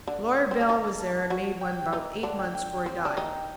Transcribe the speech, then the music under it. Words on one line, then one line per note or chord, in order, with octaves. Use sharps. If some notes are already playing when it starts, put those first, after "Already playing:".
Lawyer Bell was there and made one 'bout eight months 'fore he died.
D3 D4
C4
D4
D#3 D#4 A5
A5
F#3 F#4
G5
D#3 D#4
D3 D4
G5
G5
C4
D4
D#3 D#4 G5